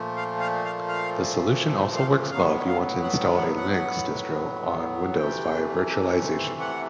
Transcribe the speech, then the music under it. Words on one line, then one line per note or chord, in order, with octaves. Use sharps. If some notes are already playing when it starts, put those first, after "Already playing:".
This solution also works well if you want to install a Linux distro on Windows via virtualization.
Already playing: A#2 F3 A3
F5
F5
F5
F5
F5
A2 F#3 B3 F5
F5
F#5
G5
F#5
F#5
C3 E3 A3 G5
F#5